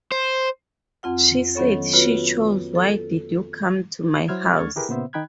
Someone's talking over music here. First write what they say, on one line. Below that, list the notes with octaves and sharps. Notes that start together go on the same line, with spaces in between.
She said she chose Why Did You Come to My House?
C5
F2 C4 F4 F#5
D#3 F#3 B3 C#4 A4 C#5
B3 F4 F#4 B4 C#5
A4
F#3 E4 C5 F6 G#6
D2 D3 C#6 F6 G#6 A6
E4 G4 G#4 A#4 B4
A#2 C#3 B3 C5 E5
D#3 D#4 G5 B5 F#6 G#6